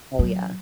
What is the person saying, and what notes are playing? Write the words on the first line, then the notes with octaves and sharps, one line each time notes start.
Oh yeah.
F#3